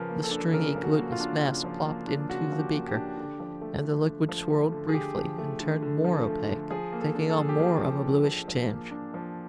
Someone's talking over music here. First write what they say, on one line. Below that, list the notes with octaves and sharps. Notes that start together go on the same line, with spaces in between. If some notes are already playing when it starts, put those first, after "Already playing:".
The stringy, glutenous mass plopped into the beaker and the liquid swirled briefly and turned more opaque, taking on more of a bluish tinge.
Already playing: C#3 F3 A#4 B4
A#3
A4
D4
C#3 A#4
F3
F#4
A#3
F4
D4
C#3
F3
A#3
D4
C#3 F#4
F3
G4
A#3
G4
D4
D3
F3
A3
D3
D3
F3
A3
D3
G#4
D3 G4
F3
A3
D3
D3
F3
A3
D3
F3 G#4
A#3
A4
D4
A4
F3 G#4
G4
F3 G#4
A#3
D4
F3
F3
A#3
D4
F3